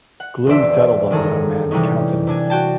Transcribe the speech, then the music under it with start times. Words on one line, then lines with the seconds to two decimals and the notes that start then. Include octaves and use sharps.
Gloom settled on the young man's countenance.
0.20 F#5
0.46 E1 A#1 C5 D5 E5
1.10 F#1 D#3 G#4 A4 A#6
1.71 C3 E3 G3 G#3 C#4 D#4
2.27 C3 D4 G#5
2.50 F#4 G5 A5